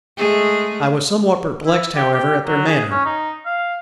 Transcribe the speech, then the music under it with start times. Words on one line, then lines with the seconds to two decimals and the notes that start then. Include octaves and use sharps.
I was somewhat perplexed, however, at their manner.
0.18 G#3 A3 G#4
1.66 E4
1.95 G4
2.14 G4
2.46 F#3
2.67 G#4
2.91 C#4
3.05 D#4
3.46 F5